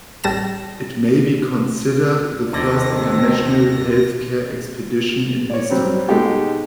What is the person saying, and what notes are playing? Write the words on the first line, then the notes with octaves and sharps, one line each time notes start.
It may be considered the first international healthcare expedition in history.
A1 G3 A5 A#6 E7
D#2 B2 D3 D#3 C4 A#6
C#5 D5
F#3 G3 C4
B2 G#3 D#4 F#4 G4 A4